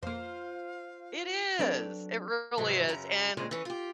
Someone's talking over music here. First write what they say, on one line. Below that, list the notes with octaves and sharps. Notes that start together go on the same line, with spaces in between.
It is, it really is, and
F2 A#3 F4 C5 F5
F#3 C4 D4 A4 B4 D5
G#2 C3 E3 F#3
F#2 C#3 A#5
D2 A#2 C#3 G#3 C4
E3 C#4
F4 G4